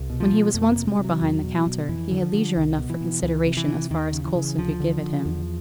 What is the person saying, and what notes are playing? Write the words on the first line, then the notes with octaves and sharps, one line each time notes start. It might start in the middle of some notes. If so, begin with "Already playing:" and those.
When he was once more behind the counter, he had leisure enough for consideration as far as Coulson could give it him.
Already playing: C2
B2
F3
B2
F2 A3
C3 A#3
G3
C3
F#3
E2
B2
B2
F2 E3
D3
F3
D3
C2
B2
E3
B2
C#2 E3
C3
E3
C3
D#2 D#3
C#3
E3
C#3
D2 F3
D3
D3
E2